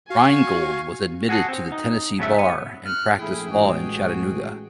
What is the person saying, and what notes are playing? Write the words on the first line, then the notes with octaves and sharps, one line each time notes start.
Reingold was admitted to the Tennessee bar and practiced law in Chattanooga.
F#4 F5 G#5 C#6
F#4 G#4 A4 F#5
C4
D#4
G#2 C#3 F#3 A3 D4 E5
B3
F6 F#6
A#1 A3 E4 G#4 G5
A1 G#3 F#4